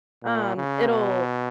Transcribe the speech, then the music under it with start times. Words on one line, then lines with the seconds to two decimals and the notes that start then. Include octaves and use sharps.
um, it'll,
0.24 A#2
0.57 C#3
0.88 B2